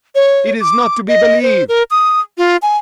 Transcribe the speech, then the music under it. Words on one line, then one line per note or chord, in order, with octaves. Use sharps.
It is not to be believed!
C#5
D6
D#5
C5
A#4
D#6
F4
G#5